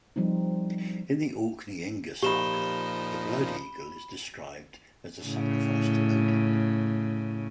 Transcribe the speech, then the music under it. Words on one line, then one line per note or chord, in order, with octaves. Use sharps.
In the Orkneyinga saga, the blood eagle is described as a sacrifice to Odin.
F3 G3 C4 D#4
A#2 F3 D#4 G4 B5 E7 G7
A2 C#3